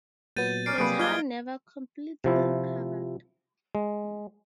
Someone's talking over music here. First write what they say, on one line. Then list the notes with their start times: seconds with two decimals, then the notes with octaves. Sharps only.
The town never completely recovered.
0.36 A#2 F#3 B3 G6 A6 D#7
0.66 C#4 A#4 D5 C7 D7
0.78 C3 F#3 G3 A#3 G#4 B4 D7
0.99 F4 D#5 F6 G#6 G7
2.24 C3 F3 E4
3.75 G#3